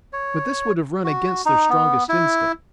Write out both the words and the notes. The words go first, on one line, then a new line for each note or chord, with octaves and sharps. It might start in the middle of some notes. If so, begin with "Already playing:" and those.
But this would have run against their strongest instincts.
C#5
F#4
D#4
B3
E4